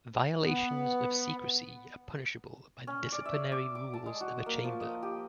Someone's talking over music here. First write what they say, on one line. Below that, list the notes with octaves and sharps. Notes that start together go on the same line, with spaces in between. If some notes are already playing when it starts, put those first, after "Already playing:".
Violations of secrecy are punishable by the disciplinary rules of a chamber.
B3
C#4
D5
E5
D6
D6
A5
G#3
F#4
A#3
F3
D#5
G4